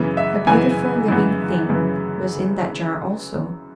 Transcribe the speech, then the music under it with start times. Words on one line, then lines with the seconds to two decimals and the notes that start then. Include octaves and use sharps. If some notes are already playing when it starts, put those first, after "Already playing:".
A beautiful, living thing was in that jar also.
Already playing: F#2 C#3 E3 B3
0.17 E5
0.47 F#2 C#3 E3 B3 G#5
1.08 F#2 C#3 E3 B3
1.69 F#2 C#3 E3 B3